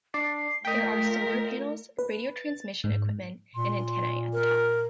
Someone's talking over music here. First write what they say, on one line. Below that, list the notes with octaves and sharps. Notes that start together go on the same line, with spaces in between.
There are solar panels, radio transmission equipment, and antennae at the top.
D4 D5 C7
A3 F4 A#4 D#5 G5 B6
B4
A6
G#2
A#2 C6
A#4